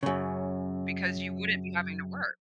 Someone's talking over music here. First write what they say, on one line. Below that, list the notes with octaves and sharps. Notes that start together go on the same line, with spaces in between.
because you wouldn't be having to work.
F#2 C#3